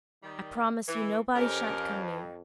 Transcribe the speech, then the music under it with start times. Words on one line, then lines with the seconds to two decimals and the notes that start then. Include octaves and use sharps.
I promise you nobody shan't come near.
0.22 D#3 G3
0.87 E3
1.35 F2 C#4 G4 A#4